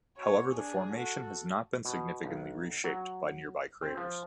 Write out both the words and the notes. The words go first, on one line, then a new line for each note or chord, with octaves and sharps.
However the formation has not been significantly reshaped by nearby craters.
F#4 C#5
D4 G#4
F#4 A4
B2
B1
F#3
C4
F3